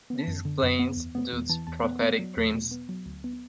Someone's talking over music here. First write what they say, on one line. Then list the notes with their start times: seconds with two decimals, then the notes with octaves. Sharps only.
This explains Dodds' prophetic dreams.
0.10 B3
0.19 A5
0.28 F#2
0.45 D3
0.63 F#2
0.79 B3
0.97 E2
1.15 B3
1.32 E2
1.49 E3 A5
1.67 E2 A5
1.84 B3 F#5
2.01 B3 D5
2.19 F#3
2.37 E2
2.54 B2
2.71 B3
2.89 F#3
3.06 D2
3.24 B3